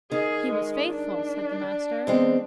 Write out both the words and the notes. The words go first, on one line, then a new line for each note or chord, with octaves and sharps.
He was faithful, said the Master.
D#3 G#4
G#3
D4
E2 G#3 C4